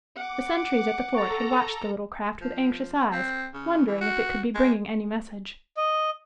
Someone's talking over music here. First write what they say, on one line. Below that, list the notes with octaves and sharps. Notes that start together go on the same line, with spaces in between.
The sentries at the fort had watched the little craft with anxious eyes, wondering if it could be bringing any message.
F#5 D6
A4 A#5 C#6 A6
F3
C4
C#3
E3
F#4
G#3
D#5